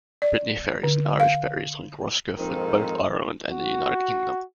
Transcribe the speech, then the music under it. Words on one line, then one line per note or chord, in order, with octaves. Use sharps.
Brittany Ferries and Irish Ferries link Roscoff with both Ireland and the United Kingdom.
D5
D3
F5
A#1 F2 G#2 D#3 C4 D#4 A#4
F#4